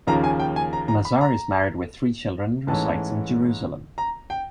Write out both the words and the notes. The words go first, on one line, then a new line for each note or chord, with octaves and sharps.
Mazar is married with three children and resides in Jerusalem.
D#2 C#3 F3 A#3 D#4 A#5
G#5
G5
G#5
A#5
A#5
B5
A#5
G#2 E3 A3 C#4 A5
A#5
G5